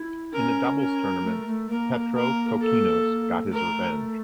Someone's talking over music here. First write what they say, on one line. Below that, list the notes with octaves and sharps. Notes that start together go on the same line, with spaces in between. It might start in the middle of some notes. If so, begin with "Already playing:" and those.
In the doubles tournament, Petrokokkinos got his revenge.
Already playing: E4
C#4 A#4
A#4
A3
A3
A#3 A#4
A#4
A4
A#3
A3 A#4